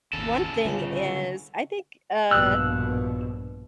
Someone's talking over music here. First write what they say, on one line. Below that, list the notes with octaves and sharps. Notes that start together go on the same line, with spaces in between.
one thing is I think, uh,
G#1 D#2 C#3 A4
C#2 D3 G3 D4
A#1 G2 B2 E6 F#6